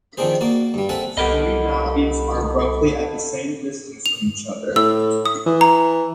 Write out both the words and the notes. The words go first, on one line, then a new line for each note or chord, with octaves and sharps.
The three mountains are roughly at the same distance from each other.
D#3 F3 C4 D4 G#4 C5
A#3 F#4 D5
G2 G3
C4 A4 E5 F#5 G#5
C2 B3 G4 A4 A#4 D#5 B5
F7
A2 E6
D#6
E3
A#5